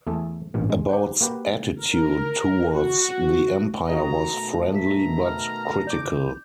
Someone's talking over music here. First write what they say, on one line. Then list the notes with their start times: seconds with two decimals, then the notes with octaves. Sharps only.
About's attitude towards the empire was friendly but critical.
0.07 E2 A3 G#4 A4 A5
0.54 A1 G2 A#2
0.70 G#3
0.89 G4 C5 F#5
1.21 A#3 F#4 G4 B4
1.82 A#4
2.73 F#4
3.89 F#4 G#4 D#5 A#5
4.32 B2 D#3 A3
4.75 A#5 B6
5.25 F6
5.87 D5 D6 G6